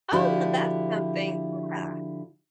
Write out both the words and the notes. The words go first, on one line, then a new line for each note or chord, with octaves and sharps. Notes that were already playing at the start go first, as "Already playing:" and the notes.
Oh, now, that's something. Yeah.
D3 F3 E4 F#4 G4